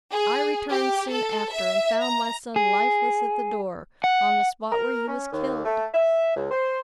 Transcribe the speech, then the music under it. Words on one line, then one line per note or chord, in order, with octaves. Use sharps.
I returned soon after, and found my son lifeless at the door, on the spot where he was killed!
G#4
G4
A4
E5
A#5
G#4
F#5
A#4
C#4
D#2
A3
E5
C#2
C5